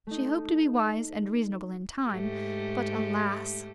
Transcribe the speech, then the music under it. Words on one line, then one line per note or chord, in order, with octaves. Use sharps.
She hoped to be wise and reasonable in time; but alas!
A3 D#4
G#2 A3 G4